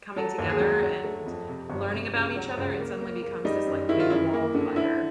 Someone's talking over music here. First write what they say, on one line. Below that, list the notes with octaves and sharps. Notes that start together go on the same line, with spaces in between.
coming together and learning about each other, it suddenly becomes this like big wall divider.
F#3 A4
D#2
G#4
F#3
F#3
A3
F2
C3
G1
C3
C#2
F#3
C#2
A#3
A#3
A#3
G3 D#4
F#2
D#3 E4
F4
F#2 E4
A#3
D3
D3 E4